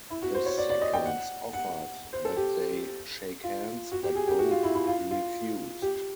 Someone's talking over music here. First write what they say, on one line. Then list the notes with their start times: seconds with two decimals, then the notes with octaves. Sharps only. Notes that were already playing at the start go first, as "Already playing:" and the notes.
The seconds offered that they shake hands, but both refused.
0.10 E4
0.22 F#4
0.35 C5
0.46 C#5
0.58 D5
0.70 D5
0.81 D#5
0.94 G5
1.05 F#5
1.53 F#5
2.13 C5
2.25 A4
2.37 G4
3.44 F4
3.92 F#4
4.03 G4
4.15 G#4
4.27 G4
4.39 F#4
4.51 F4
4.63 E4
4.75 E4
4.87 F4
5.11 F4
5.82 G4